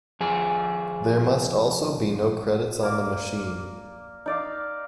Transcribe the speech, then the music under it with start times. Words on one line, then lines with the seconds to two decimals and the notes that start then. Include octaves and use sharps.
There must also be no credits on the machine.
0.21 F2 G#4
2.83 A#3 D5
4.26 D#4 D5 F5